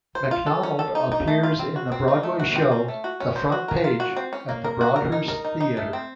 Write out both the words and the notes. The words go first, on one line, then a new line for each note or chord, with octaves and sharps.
McDonald appears in the Broadway show "The Front Page" at the Broadhurst Theater.
C5
F4
A4
C#4
A4
D#4
D#4
A3
F4
C4
F#4
C4
D#4
A3
F#4
C4
C#4
A3
F#4
C#4
C5
F#4
A#4
F4
F#4
C4
C#4
A#3
A#4
F#4
A#4
D#4
A#4
D#4
D#4
A3
C4